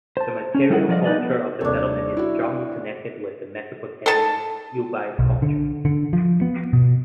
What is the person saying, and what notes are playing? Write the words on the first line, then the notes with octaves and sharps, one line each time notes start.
The material culture of the settlement is strongly connected with the Mesopotamian Ubaid Culture.
C5 A5
C#4 C#5
G3 E4 F4 G#4 A4 F#5
F3 A4 B4 D5 D#5 F5
D#4 B4 D5 D#5
B3
D#1 C3 D4 A4 C#5
E4 F#4
A4 A5
B1
D3
D3
F3
B3
B2